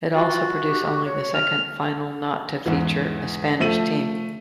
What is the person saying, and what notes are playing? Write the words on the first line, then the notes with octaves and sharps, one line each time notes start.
It also produced only the second final not to feature a Spanish team.
F4 F#4
G4
C#5
F6
E2 G#2 E3
F3 A3 D#7 F#7